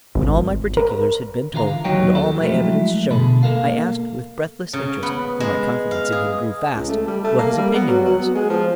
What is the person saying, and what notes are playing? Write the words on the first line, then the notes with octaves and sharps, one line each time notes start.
When all my particulars had been told, and all my evidence shown, I asked with breathless interest--for my confidence in him grew fast--what his opinion was.
G#1
A#4
D3 E3 F4 G#4 F5 A#5
D#2 F#3 D#4 G4 C#5 G5
A4 D5
F3 F#3 G#3 A3 E4
B2 D3 G#4 A4 B5
A#3 A4 A#4 F5
C#3
B3
G#3
F5
G#4
C#2
A3
G3
A3
A#3
G3
B3
F#3
F#3
B3
G#3
F3